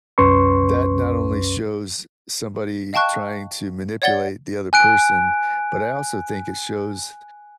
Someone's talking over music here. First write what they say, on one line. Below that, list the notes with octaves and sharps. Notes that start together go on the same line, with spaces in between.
that not only shows somebody trying to manipulate the other person, but I also think it shows
C2 F#2 C#4 B4 C6 C#6
D#5 F5 G5 A5 C#6 F#6
C#5 D5 F#5 A6 G7
G#5 F#6 D7